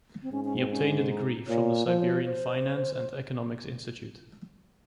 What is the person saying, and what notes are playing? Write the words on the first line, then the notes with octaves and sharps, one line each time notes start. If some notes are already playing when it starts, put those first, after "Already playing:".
He obtained a degree from the Siberian Finance and Economics Institute.
C4
G#2 C#4
C#4
C4
C#4
C#4
D#4
A#2 C#5
F3 C5
C#5
C5
C5